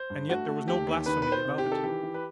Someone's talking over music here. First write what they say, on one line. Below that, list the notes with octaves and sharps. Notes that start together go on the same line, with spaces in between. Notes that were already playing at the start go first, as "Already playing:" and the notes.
And yet there was no blasphemy about it.
Already playing: C5
G2
A3 F#4
A3
D#2 G4
D#2
D#3 B4
D#3 B4
C5
C3
G4
D#3
A4
E3 G4
E3
B4